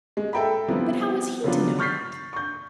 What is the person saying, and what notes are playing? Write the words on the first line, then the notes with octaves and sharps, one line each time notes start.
But how was he to know that?'
G#3
A4 E5 G5 A#5 B5
F3 G3 B3 C4 E4
C#3 F3 F#3 B3 D4 F4
C#6 F6 G6 A6 B6 C7
C#6 G6